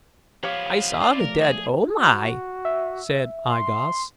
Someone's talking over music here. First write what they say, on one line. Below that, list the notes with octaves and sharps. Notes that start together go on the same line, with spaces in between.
"I saw the dead O-Mai," said I-Gos.
F3 B3 G4 C#5 F5 D6
E4 F4 D5
F3 A3 A#4
G#4
F#4
E5
C6